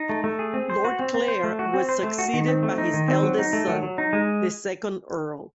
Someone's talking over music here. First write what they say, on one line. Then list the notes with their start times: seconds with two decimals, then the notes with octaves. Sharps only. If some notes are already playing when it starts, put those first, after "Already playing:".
Lord Clare was succeeded by his eldest son, the second Earl.
Already playing: D#4
0.09 A3
0.24 A3
0.39 G#4
0.53 C4
0.70 C5
0.85 F#4
0.99 C4
1.14 C4
1.28 C5
1.44 A3
1.59 F#4
1.74 C4
1.89 C5
2.03 A3
2.19 F#4
2.34 D#3
2.48 C4
2.63 A3
2.78 D#4
2.94 D#3
3.08 C4
3.23 F#3
3.39 D#4
3.53 A3
3.68 F#3
3.83 F#3
3.98 D#4
4.13 G#3